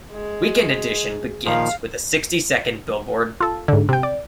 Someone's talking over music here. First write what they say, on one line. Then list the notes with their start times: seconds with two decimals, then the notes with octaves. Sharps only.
"Weekend Edition" begins with a sixty-second billboard.
0.13 G#3
1.46 A#2 D#3 F3 F5
3.41 F4 A4
3.68 G#2 D3
3.89 C3 G5
4.03 D5